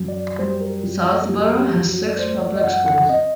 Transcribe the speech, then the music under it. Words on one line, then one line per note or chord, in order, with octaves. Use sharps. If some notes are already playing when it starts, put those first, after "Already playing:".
Southborough has six public schools.
Already playing: F#2 F#3
D5
G3 C5
A#4
F#2
F#3 G4
G4
F#2
F#4
D5
A3 C5
D5
D#5
F#2 F#5
F#5
C4 D#5